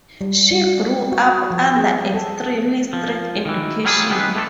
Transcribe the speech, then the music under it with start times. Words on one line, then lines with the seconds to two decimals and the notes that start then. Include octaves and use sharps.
She grew up under extremely strict education.
0.21 G3
0.51 G3
1.12 F#4
1.51 F3
1.76 G#4
2.14 A4
2.93 F3
3.45 D#3 E3
3.85 F#3 G3 A#3 E4 F4 G#4
4.10 D#3 G#3 B3 C4 B4
4.35 A3 B3 D4 G4 A4